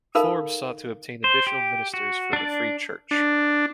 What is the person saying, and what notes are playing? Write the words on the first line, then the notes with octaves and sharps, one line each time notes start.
Forbes sought to obtain additional ministers for the Free Church.
D#4 A4 A#4 F5 B5
C5
G4
F#4
D4 D5
D4